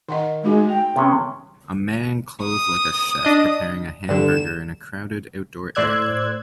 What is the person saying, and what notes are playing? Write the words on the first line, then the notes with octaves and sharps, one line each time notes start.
A man clothed like a chef preparing a hamburger in a crowded outdoor area.
D#3 D#5 F#5 C6
G#3 A3 D#4 F#4
G5 A#5
C3 B3 C#4
D#6
D4 D#5
G2 D3 E7
A2 C5 D5 E6 F#6 G#6